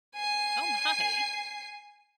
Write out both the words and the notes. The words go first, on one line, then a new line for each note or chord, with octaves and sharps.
Oh my!
G#5 C7